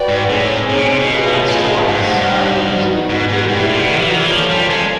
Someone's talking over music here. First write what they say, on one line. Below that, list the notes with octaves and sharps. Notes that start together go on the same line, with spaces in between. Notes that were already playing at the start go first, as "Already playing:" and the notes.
The last rites are usually completed within a day of death.
Already playing: F#4 B4 D5 G5
G#2
A2 C4 D#4 G#4 C#5
A#2
B2
C3
B2
C#4 F4 G#4 B4 D#5
A2
G#2 D#4 G4 C5 D#5 F#5
A2
G2
B3 D#4 F#4
G#2
G#2
G#2 E4 G4 B4 D5 F#5
A2
A#2
B2
D#3
E3
D#3
E3
F3 A#3 C#4 F4 A4 C5
G3
G#3